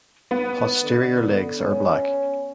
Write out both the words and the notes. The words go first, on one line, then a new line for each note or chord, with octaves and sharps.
Posterior legs are black.
B3
D3
C#4